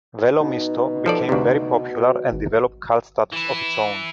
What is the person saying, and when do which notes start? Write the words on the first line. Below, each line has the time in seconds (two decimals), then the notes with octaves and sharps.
"Velo misto" became very popular and developed cult status of its own.
0.41 B2 D#4
1.06 F3 A4 D5
1.29 D2 C3
2.32 G#1
3.33 E3 E4